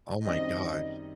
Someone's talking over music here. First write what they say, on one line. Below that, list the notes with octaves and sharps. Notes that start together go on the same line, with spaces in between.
Oh my gosh.
F#2 D#3 G3 C4 D#4 D#5